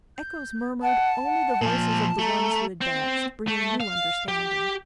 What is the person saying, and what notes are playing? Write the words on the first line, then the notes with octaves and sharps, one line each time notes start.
Echoes murmured only the voices of the ones who advanced, bringing new understanding.
G6
F#5 A5
F#5
A#2 F3 G#5
A3 A#5
C4
A3
F5
G4